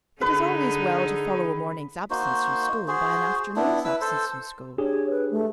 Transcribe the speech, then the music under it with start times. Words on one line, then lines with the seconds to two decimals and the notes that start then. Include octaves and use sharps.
It is always well to follow a morning's absence from school by an afternoon's absence from school.
0.21 D3 D#4 G#4 B4
2.10 A#3 D#4 F#4 C5
2.88 F#4 G#4 C5
3.56 B3 D4 E4
3.85 E4 B4 E6
4.01 A4 C5
4.78 D4 G4 G#4 C#5
5.10 B4
5.31 A3